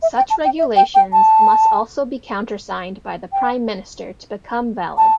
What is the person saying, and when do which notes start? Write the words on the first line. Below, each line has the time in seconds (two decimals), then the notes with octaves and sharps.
Such regulations must also be countersigned by the prime minister to become valid.
0.02 E5
0.17 G5
0.30 A5
0.45 G5
0.58 E5
0.76 G5
0.95 G5
1.13 A5
3.32 G5
4.97 A5